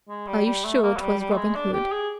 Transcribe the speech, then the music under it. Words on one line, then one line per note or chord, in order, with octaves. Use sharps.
"Are you sure 'twas Robin Hood?"
G#3
G3
G3
A3
A#3
F#3
G3
G3
A3
G#3
D4
G4
G#4